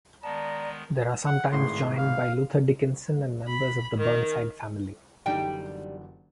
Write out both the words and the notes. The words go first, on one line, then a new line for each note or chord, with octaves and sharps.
They are sometimes joined by Luther Dickinson and members of the Burnside family.
D#3 G#3 B3 D5 A5 A#5
F#5
G#1 A2 G#4 C6
F5
B5
D#3
F#1 D3 E3 G3 D4 D#4 G5